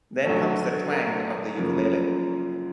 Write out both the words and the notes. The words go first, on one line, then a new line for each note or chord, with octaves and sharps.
Then comes the twang of the ukulele.
D2 D3 F#3 A3 A4
A#4
F#2 C#3 F3 A#3